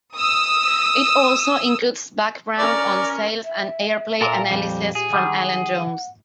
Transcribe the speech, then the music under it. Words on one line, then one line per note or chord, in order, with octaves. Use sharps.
It also includes background on sales and airplay analysis from Alan Jones.
D#6 E6
C#4 A#4 D5
E5
A#2 A4 A#4
F2 G3
G4 G#4
D#3 G3 F#5